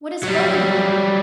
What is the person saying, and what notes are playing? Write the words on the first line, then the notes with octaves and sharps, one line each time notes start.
"What is floating there?"
F#3 G3